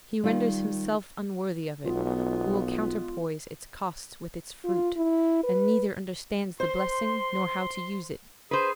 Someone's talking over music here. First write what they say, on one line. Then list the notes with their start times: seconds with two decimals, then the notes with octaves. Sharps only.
He renders himself unworthy of it who will counterpoise its cost with its fruit, and neither understands the blessing nor how to use it.
0.24 D#3 G3 F4
1.85 B1 G#3 B3 F4
4.64 F4
4.96 E4
5.44 B4
6.60 C5 C6
8.51 G#4 B4 C5